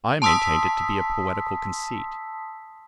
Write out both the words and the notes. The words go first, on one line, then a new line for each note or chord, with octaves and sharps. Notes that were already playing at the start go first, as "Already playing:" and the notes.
I maintained it to be a poetical conceit.
A5 C6 D#6 E6 B6